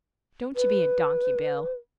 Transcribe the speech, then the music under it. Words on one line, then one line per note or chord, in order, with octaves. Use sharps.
Don't you be a donkey, Bill.
B4